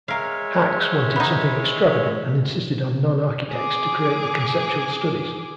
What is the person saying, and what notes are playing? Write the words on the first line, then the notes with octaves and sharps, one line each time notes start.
Haks wanted something extravagant and insisted on non-architects to create the conceptual studies.
G#3 A#4 C#5 E5 F5
B3 D#4
G#4 D6